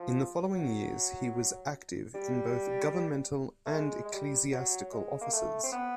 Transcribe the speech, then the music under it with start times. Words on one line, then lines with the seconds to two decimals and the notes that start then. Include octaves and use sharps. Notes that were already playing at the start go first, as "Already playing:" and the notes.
In the following years he was active in both governmental and ecclesiastical offices.
Already playing: F3
0.55 F#3
2.14 G3
3.66 A3
3.73 G#3
4.05 G#3
4.13 G3
4.53 F#3
4.93 G#3
5.21 A#3
5.33 A3
5.63 C4
5.72 B3